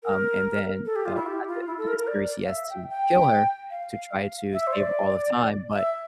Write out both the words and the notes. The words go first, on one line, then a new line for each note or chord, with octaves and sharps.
um, and then, you know, at the end of the series he has to kill her to try to save all of time, but,
A#4
A4
G4
F4
E4
G4
F4
E4
A4
A#4
A#4
D5
F5
E5
G5
G5
F5
E5
C5
D5
E5